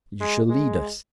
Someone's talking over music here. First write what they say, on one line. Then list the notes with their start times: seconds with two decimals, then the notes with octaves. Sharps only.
You shall lead us.
0.20 G#3
0.49 G#3